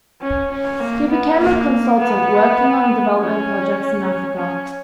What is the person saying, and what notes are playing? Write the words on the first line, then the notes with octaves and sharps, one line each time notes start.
He became a consultant, working on development projects in Africa.
C#4
C#4
A#3
B3
A#3
B3
C#4
C#4